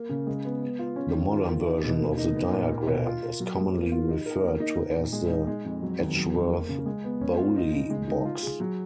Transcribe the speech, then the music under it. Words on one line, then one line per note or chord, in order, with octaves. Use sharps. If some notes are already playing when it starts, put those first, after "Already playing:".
The modern version of the diagram is commonly referred to as the Edgeworth-Bowley box.
Already playing: A#3
C#3
G#3
B3
B3
F4
C#4
D#3
F4
A#4
D#4
B2
A#3
D#4
B3
A#2
A#3
B2
F4
A#4
F#3
A#3
A#3
F4
D#4
A#4
A#3
D#4
D#4
A#2
G#3
D#4
G#3
F2
F#3
D#2
F#3
F2
A#3
C#3
G#3
B3
C#4
F4
D#4
C#3
G#3
D#4
F4
G#4
F#3